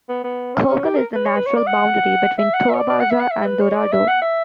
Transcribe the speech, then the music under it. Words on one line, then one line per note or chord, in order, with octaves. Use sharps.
Cocal is the natural boundary between Toa Baja and Dorado.
B3
B3
C#4
C#4
G4
A#4
B4
C#5
B4
C#5
D5
F#5
E5
F#5
E5
C#5
D5
D5
F#5
E5
F#5
E5
B4
C#5
D5
E5
F#5
E5